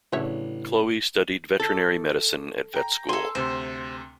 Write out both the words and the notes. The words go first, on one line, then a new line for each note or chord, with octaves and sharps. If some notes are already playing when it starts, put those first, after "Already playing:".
Chloe studied veterinary medicine at Vet School.
A1 C#3 F#3 D4 C#5 E5
A4
G5 A#5
G#4 A4 C6
D2 C3 C5